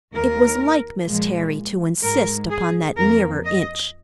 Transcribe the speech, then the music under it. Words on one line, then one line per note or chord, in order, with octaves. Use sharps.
It was like Miss Terry to insist upon that nearer inch.
D#2 D#3 A#3 A#4
A#2 F3 G#3
G#2 G#3 A#4
G#4
F2 F3 A#3 A#4
D#5